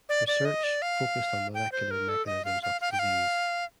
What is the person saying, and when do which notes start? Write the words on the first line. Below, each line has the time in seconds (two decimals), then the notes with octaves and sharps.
Research focused on molecular mechanisms of disease.
0.09 D5
0.28 D5
0.45 D#5
0.64 D5
0.82 F5
1.54 G5
1.72 C5
1.91 A#4
2.09 A4
2.26 D#5
2.45 F5
2.63 F5
2.81 F5
2.92 G5
2.99 F5